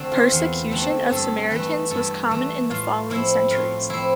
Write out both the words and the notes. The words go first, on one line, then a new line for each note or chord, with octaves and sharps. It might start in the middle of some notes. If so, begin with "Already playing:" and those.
Persecution of Samaritans was common in the following centuries.
Already playing: D3 A3 C4 A4
F4
E2
D3 A3 C4
G2 A4
E3 A3 B4
G2 A4
E3 A3
A2 F4
F3 C4 E4
A2 F4
F3 C4 E4